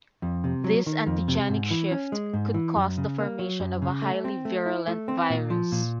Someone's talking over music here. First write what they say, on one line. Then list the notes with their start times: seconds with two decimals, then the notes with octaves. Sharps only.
This antigenic shift could cause the formation of a highly virulent virus.
0.22 F2
0.44 C3
0.64 F#3
0.86 D#3
1.07 F2
1.28 C3
1.49 G#2
1.71 E3
1.91 C#4
2.12 G#3
2.33 G#2
2.54 E3
2.75 F#2
2.98 C#3
3.18 A#3
3.39 F#3
3.60 F#2
3.82 C#3
4.02 A3
4.24 C4
4.45 A3
4.66 E4
4.87 A3
5.08 C4
5.30 A#2
5.50 F3
5.72 A#2